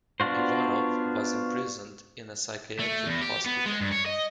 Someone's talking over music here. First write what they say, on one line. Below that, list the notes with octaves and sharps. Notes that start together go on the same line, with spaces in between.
Ivanov was imprisoned in a psychiatric hospital.
B3 D4 F4 F#4 C5
A3
E2
G4
B3
G#3
G2
C#5
D#5